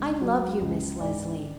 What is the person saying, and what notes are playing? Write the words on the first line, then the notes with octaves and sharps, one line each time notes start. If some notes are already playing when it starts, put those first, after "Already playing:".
I love you, Miss Leslie.
Already playing: C#2
F#3
C#2
G#2 D5